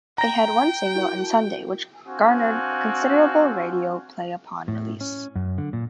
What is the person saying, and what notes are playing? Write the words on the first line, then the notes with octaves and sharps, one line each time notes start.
It had one single in "Sunday" which garnered considerable radio play upon release.
G5 A#5 A#6
E4 F#4 A#4
C4 D4 F#4 F5 G#5
A2
C#4
F#2
D3
A#2